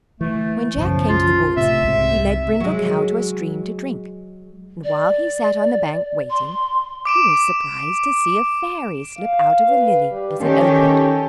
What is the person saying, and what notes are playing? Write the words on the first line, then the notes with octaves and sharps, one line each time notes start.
When Jack came to the woods he led Brindle Cow to a stream to drink, and while he sat on the bank, waiting, he was surprised to see a Fairy slip out of a lily as it opened.
E3 A3
B1 F#2 C#3 F3
F4
A2 C3 E5
C2 G#2 C3
F#3 G#3
D5
C6
D6 D7 E7
F5
B4
G3
D#3 C#4 G4 A4